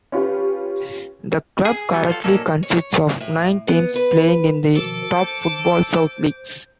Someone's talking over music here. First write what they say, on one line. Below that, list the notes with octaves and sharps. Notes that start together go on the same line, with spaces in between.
The club currently consists of nine teams playing in the top Footballsouth leagues.
C#4 F4 G4 B4
G#4
F#3 G3 B3
F4 F#4 A4
A#2 F#3 A#3 C#4 D#4 A4
C#5
A2
B3
B4
B2 D#3 F3 A4 D6
C5